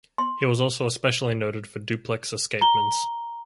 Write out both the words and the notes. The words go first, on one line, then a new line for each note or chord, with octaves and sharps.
He was also especially noted for duplex escapements.
C6
A#5 G7